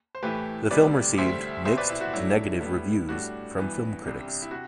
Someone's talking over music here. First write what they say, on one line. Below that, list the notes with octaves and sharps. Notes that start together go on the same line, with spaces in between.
The film received mixed to negative reviews from film critics.
C5
A2 E3 A3 E4 G4 B4
D2 C3 G3 B4 D5
D2 D3 G3 C5 E5
C2 B2 G3 C5 E5
B4 D5
E4
F#4
G2 F#3 A3 D4 E4
A2 G3 B3 E4
A2 G3 D4 F#4
G2 E3 B3
C2 C3 G3 D4
E4
C3 F#4